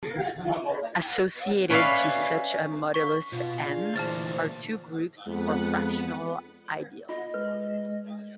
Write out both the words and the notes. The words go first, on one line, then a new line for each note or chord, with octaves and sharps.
Associated to such a modulus "m" are two groups of fractional ideals.
C#4 B4 C#5 D5 E5 F5
C#6 B6
B2 F4
D4 F4 G#4 F5
D2 A#2 E3 C5 A5 F6 A6
F2 G#3 B3 B4 F#5
F4 D#5
G#3 B4